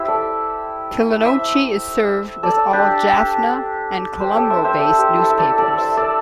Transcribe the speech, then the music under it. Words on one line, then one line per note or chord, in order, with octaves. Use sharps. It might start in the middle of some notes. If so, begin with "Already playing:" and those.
Kilinochchi is served with all Jaffna- and Colombo-based newspapers.
Already playing: E4 G4 C5
A4 D5
C5 E5
A4 D5
D4 G4
G4 C5
A4 D5
C5 E5
C5 E5
A4 D5
G4 C5
E4 A4
E5
A4 D5
A4 D5
C5 E5
A4 D5